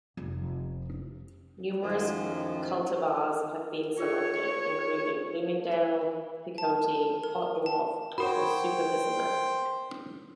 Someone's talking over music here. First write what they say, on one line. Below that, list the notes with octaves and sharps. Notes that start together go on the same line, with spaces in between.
Numerous cultivars have been selected, including 'Bloomingdale', 'Picotee', 'Pot Dwarf', and 'Superbissima'.
F1
F#2 A2 D#3 F3
F4 G#4 A#4 C#5
A5
A#4
A5
F#4 A#4 C5 C#5 G5 B5